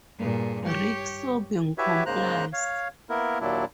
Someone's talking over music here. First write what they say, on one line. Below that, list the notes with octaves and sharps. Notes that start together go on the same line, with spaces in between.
Rick, sobbing, complies.
G2 A#2 G#4
G4 C#5
E4 F#4 G4 B4 C#5 E5
G#2 C#3 A#3 C5 A#5 F#6
C#5 F5
A#3 B3 E4 A#4
D#2 A#2 F#3 D4 E4